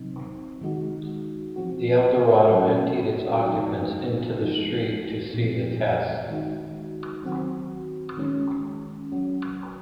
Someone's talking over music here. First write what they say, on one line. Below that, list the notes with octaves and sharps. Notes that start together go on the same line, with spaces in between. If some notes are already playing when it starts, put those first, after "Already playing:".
The Eldorado emptied its occupants into the street to see the test.
Already playing: C3 F#3 C4 D#4
D#3 G#3 D#4 F#4
F3 C4 F#4
F#3 C#4 F#4
F3 G#3 D#4 F#4
F3 G#3 D#4 F#4
A#2 F3 C4
D#3 G#3 D#4 F#4
D#3 F#3 C4 F#4
D#3 G#3 C#4
F#3 C#4 F#4